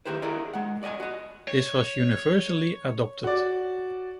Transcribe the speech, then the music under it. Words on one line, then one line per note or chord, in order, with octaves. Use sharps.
This was universally adopted.
D#3 G#3 E4 G4 B4 C5
E4 G#4 A#4 D5 D#5
G#3 F#5
D5 D#5 F5 G#5
F#4 D#5
C#5
F#4 D5